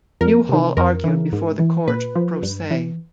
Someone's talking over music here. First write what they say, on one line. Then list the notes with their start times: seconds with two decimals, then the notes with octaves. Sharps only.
Newhall argued before the court pro se.
0.21 F2 A#4
0.49 C3 D#3
0.77 F2 A#4
1.04 C#3 E3
1.32 G#2
1.59 E3
1.88 A#2 B4
2.15 F3
2.43 G2
2.71 E3